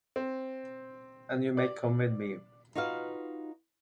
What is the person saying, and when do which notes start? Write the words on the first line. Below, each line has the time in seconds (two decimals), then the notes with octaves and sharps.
And you may come with me.
0.16 C4
1.57 D5
2.75 D#4 F4 F#4 B4 F5